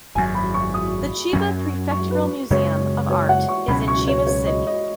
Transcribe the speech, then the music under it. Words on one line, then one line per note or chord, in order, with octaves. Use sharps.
The Chiba Prefectural Museum of Art is in Chiba City.
G#1 F#2 F#3 G#5
B5
C#6
D#6
F#2 F#3 C#4
C#6
B4
F#2 C#3 G#3 C#5
C#5
F#5
C#6
C#2 B2 F#3 C#4 B5
C#6
C#5
C#5
D#5
D#5